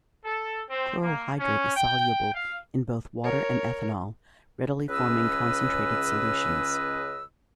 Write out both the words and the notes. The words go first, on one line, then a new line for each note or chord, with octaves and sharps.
Chloral hydrate is soluble in both water and ethanol, readily forming concentrated solutions.
A4
C4
A#3
C#4
G5
F5
A#4 C#5
C#2 C#3 C#4 B4 D#5 E6